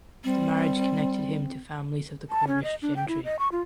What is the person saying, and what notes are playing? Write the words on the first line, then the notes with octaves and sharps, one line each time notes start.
The marriage connected him to families of the Cornish gentry.
G3 C4
A5
C#4
D#5
D4
G5
E4
D#5
C#6
F4